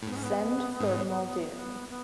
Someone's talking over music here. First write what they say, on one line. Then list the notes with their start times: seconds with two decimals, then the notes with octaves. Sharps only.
Send for Muldoon!
0.02 A2
0.08 G#2 B3
0.16 C#4
0.23 B3
0.80 G#2
1.52 B3
1.88 B3